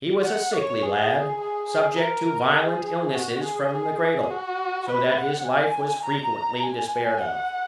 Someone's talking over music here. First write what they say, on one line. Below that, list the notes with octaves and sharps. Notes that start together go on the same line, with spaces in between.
He was a sickly lad, subject to violent illnesses from the cradle, so that his life was frequently despaired of.
F#5
C#5
G#4
G#4
G#4
A#4
G#4
F#4
G#4
G#4
G#4
F#4
B4
F#5
G#5
A#5
G#5
F#5